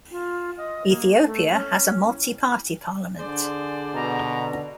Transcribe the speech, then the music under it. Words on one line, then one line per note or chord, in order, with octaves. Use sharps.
Ethiopia has a multi-party parliament.
F4
D#5
A#3
A3
C#4
D3 G#4 C5 D5
B2 A#5